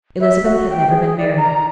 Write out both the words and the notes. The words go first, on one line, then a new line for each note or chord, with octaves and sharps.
Elizabeth had never been married.
E5
F#4
G5
G#4
D5
A#5